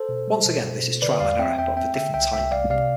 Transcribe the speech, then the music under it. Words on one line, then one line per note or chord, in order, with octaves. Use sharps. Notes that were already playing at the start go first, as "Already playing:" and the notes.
Once again this is "trial and error", but of a different type.
Already playing: A4 C5
B2
G3
B2
B2
B2
D3 B4 D5
E2 D5 F5
C4 E5 G5
E2 E5 G5
C4 E5 G5
D3 E5 G5
C2 E5 G5
C2 E5 G5
C2 D5 F5
C3 D5 F5